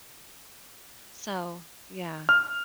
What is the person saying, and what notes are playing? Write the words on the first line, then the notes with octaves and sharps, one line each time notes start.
So, yeah.
F6